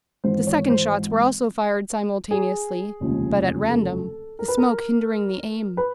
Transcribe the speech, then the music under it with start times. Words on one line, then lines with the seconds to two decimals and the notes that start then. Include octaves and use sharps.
The second shots were also fired simultaneously, but at random, the smoke hindering the aim.
0.24 G#1 G#2 E3 C5
0.47 C#5
0.70 C5
2.31 G#4
3.00 F1 D#2 C#3 F3 G#3
3.69 A4
4.39 A#4
4.48 B4
4.58 A#4
5.77 B4